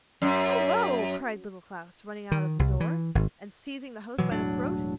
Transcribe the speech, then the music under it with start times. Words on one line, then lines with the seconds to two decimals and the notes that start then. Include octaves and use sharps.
'Hullo!' cried Little Klaus, running out of the door, and seizing the host by the throat.
0.22 F#2
2.32 D#3
2.59 C2
2.80 E3
3.15 G#1
4.19 B2 E3 F#3
4.31 E1 A2 F#3 D4